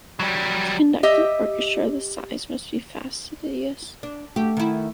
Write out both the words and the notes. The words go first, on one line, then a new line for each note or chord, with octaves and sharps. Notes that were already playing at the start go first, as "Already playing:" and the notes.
To conduct an orchestra this size must be fastidious.
F#3 G3
G4 D#5 E5
D4
A3 G4
D#3 E4